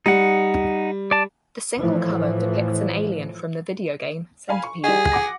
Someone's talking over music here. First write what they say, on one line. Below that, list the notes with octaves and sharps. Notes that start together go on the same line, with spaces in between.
The single cover depicts an alien from the video game "Centipede".
G3 D#4 F#5
D5 A5
A2 E3 F3
F5 G#5 B5
C#6
G3 G#4 D#5
F#5 D6 A#6